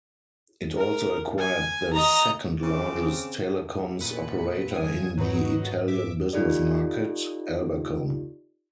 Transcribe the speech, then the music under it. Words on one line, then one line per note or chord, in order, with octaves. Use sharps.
It also acquired the second largest telecoms operator in the Italian business market, Albacom.
A#4
G#5
D#5 A#5
C#3 C4 D6
A#2 B4 C#7
G2 G#5 D#6
G#2 F#3 D#4 F#4 B4
E5 D6
D#4 F4 G4 A4 D5